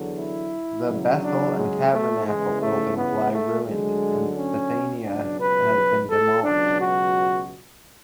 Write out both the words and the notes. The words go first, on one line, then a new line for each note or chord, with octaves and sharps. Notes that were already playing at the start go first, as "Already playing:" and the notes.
The Bethel and Tabernacl buildings lie ruined and Bethania has been demolished.
Already playing: E2 D3 F#3
E4
E2 C#3 F#3
D4
G#3
A3
E2 C#3 E3 G#3
A3
B3
A3
D2 D3 F#3 G#3
C#4
C#2 B2 F#3 D4
B4
A4
C#2 B2 F#3 D4
F#4